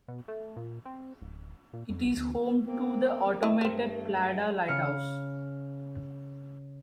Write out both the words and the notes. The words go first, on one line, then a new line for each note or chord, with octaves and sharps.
It is home to the automated Pladda Lighthouse.
B2
A3
A#2
C4
D1
A#2
F2
B1
D2
A#3 C4
E4 D#5
G2 A3 C4 A#4
C#3 F6 C#7